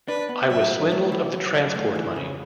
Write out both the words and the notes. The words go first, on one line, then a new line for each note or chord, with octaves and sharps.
I was swindled of the transport money.
D4 B4
B3
F#2 E5
F#2
A3
E3
F#2
F#2
A3
E3
C#3